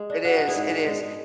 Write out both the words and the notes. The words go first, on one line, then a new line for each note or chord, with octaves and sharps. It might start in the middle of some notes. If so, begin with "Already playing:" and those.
It is, it is
Already playing: G#3
D4
B3 F#4 A4
D4
E4 G#4
G#2
D4
G#3
G#3